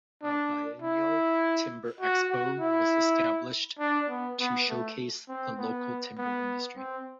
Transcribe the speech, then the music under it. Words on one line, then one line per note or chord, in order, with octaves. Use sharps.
A biennial Timber Expo was established to showcase the local timber industry.
D4
E4
F#4
F#4
E4
D4
B3
B3
A3
C4
B3
B3
C4